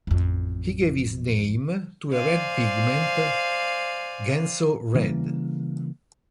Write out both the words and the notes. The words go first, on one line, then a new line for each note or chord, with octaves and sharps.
He gave his name to a red pigment "Genso red".
A1 F2
C5 D5 F5 G#5
C#3 E3 G3 A#3